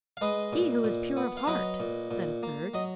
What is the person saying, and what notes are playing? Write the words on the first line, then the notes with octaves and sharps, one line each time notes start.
"He who is pure of heart," said a third.
F5
G#3 B4 D#5
A#2
A#2
B3
F5
F#3 B4 D#5
A#2
A#2
A#3
F#3 D#5